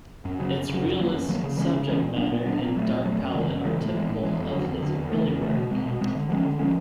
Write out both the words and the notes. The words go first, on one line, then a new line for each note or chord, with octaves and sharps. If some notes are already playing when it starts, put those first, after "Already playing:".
Its realist subject matter and dark palette are typical of his early work.
F#2
C#3 F#3
F#2
C#3 F#3
F#2
D#3 F#3 A#3
F#2
D#3 F#3 A#3
C#3
E3 G#3 C#4
C#3
E3 G#3 C#4
A#2
F#3 B3 D4
A#2
F#3 B3 D4
A#2
F#3 A3
A#2
F#3 A3
F#2
C#3 E3 G#3
F#2
C#3 E3 G#3
A2
E3 G#3
A2
E3 G#3
F2
D3 F#3
F2
D3 F#3
E2
C#3 E3 A3
E2
C#3 E3 A3
B2
G#3 C4
B2
G#3 C4
D3
F3 G#3 C#4
D3
F3 G#3 C#4